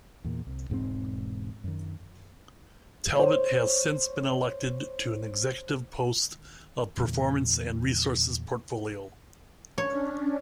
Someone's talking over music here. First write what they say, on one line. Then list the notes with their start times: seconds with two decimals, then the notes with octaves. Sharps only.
Talbot has since been elected to an Executive post of Performance and Resources Portfolio.
0.24 E2 A#2
0.47 C2
0.70 E1 G#2 G3 C4
1.64 F#2 D#3
3.15 C5 C#5
6.97 E2 A#2 D3 F#3
9.78 C#4 D4 C#5